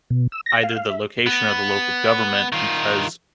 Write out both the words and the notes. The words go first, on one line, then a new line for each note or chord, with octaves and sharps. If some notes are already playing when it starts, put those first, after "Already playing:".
either the location or the local government, because,
B2
E6
A#6
F5
F5
E5
B3
D#3 F4